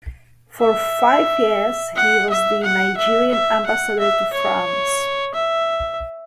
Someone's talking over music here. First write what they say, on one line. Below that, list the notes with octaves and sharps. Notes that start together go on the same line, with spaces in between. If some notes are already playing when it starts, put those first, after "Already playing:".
For five years he was the Nigerian Ambassador to France.
E5
F#5
E5
F#5
E5
E5
F#5
E5
C#5
E5